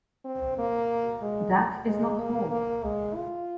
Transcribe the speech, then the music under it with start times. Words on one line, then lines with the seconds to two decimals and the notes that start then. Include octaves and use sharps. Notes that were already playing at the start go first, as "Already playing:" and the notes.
That is not all.
0.25 C4
0.58 A#3
1.22 G#3
1.86 G#3
2.19 A#3
2.51 A#3
2.83 G#3
3.16 F4